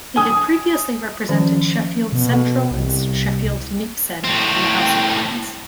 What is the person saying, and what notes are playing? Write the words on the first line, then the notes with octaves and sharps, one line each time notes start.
He had previously represented Sheffield Central and Sheffield Neepsend in the House of Commons.
G#5 D#6
D#3 F3 C#4
B2
A4
C2
A2 C4